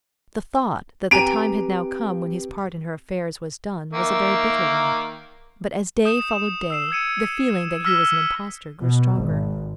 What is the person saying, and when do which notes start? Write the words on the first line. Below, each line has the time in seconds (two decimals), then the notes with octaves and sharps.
The thought that the time had now come when his part in her affairs was done was a very bitter one, but as day followed day the feeling that he was an impostor grew stronger.
1.11 C4 G4 B4 G5 G#5 A#5 D7
3.93 D#3 A#3 E5
6.05 D#6 G6 E7
6.30 D#6 E7
6.70 E6 C7 E7
6.91 E6 G#6 C#7 D#7
7.85 E6 F6 A#6 B6 E7 G7
8.82 B2
9.16 G#1